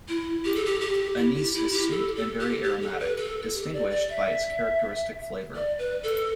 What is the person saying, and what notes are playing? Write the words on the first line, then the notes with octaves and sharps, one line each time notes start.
Anise is sweet and very aromatic, distinguished by its characteristic flavor.
E4
G4
A4
G4
G4
E4
G4
E4
G4
A4
A4
G4
G4
A4
B4
A4
G4
D5
D5
E5
D5
B4
A4